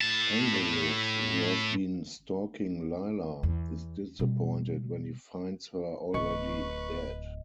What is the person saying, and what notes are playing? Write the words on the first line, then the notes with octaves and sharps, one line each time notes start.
Angelus, who has been stalking Lilah, is disappointed when he finds her already dead.
A2 A5
E2
B2 G3
D1 B4 D#5 C#6